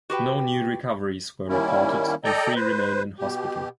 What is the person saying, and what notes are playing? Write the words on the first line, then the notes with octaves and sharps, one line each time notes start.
No new recoveries were reported and three remain in hospital.
F#4 G4 B4 G5
D#3 G3 A#3 C#4 E4
A4 D5 D#5 G5 A#5
B4 C5
B2 G4